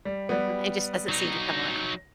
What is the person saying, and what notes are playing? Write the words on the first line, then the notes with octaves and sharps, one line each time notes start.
Mhm, it just doesn't seem to come around.
G3
G3 B3
F#3 D#4